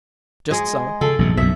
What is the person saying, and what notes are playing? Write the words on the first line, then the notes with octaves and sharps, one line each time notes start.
"Just so."
G#3 D#5
C#3 A4
A#1 G2 C3
B1 F#2 E5